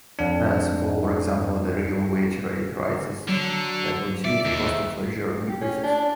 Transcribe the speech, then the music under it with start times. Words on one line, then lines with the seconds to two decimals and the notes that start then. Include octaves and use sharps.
As, for example, the real wage rate rises the opportunity cost of leisure increases.
0.19 F2 D4
3.29 D3 F#3
4.25 D5 E5
4.45 D#2
5.49 G4
5.61 C#4
5.84 D4